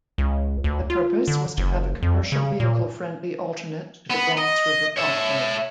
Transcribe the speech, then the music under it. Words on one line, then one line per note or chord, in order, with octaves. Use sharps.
The purpose was to have a commercial-vehicle friendly alternate to the Bronx River Parkway.
C#2
D2
F4
D3
F#1
F2
C#3
A#2
B3
D#5
C#5 E5